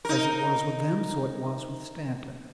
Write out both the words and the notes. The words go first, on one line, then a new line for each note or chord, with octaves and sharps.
As it was with them, so it was with Stanton.
D#4 A#4